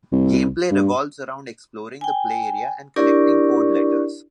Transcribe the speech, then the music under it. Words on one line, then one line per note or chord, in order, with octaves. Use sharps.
Gameplay revolves around exploring the play-area and collecting code-letters.
C2
G2
G5 G#5
D4 E4 G4 A#4 D5 C#6